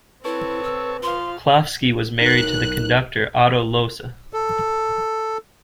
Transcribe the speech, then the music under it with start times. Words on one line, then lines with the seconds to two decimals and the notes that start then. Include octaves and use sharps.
Klafsky was married to the conductor Otto Lohse.
0.25 C4 E4 A4 B4 C#5
0.63 E6
1.03 F3 F5 C6
2.19 B1 D#4 A#4 F#6
4.33 A4